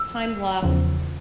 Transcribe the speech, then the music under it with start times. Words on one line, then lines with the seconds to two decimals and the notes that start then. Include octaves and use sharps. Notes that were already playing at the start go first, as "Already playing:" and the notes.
time block,
Already playing: E6
0.63 E2 C#3 F3